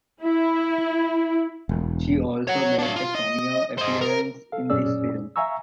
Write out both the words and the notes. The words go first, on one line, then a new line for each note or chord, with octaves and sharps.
She also made a cameo appearance in this film.
E4
E1
C#5 F#5
D4 F5
F4
D#5
C5 D#5
A#4
A4 F5
F#2 A#2 C#4 G#4 D5 E6
E5 F5 G#5 A#5 C#6 E6